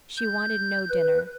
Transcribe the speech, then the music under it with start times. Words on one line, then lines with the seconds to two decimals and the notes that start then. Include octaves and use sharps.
She wanted no dinner.
0.17 G6
0.89 B4